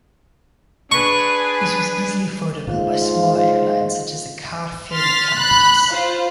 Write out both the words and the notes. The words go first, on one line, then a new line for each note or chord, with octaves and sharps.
This was easily affordable by smaller airlines, such as the car ferry companies.
D4 G#4 B4 C#6
G#2 F4
C6 F6 A6 B6
B5 F#6
F4 C5